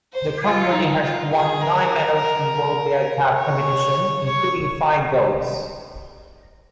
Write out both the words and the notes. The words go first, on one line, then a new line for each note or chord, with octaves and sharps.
The company has won nine medals in World Beer Cup competition, including five golds.
C5
F4
D#4
F4
G#4
A#4
C#5
C#5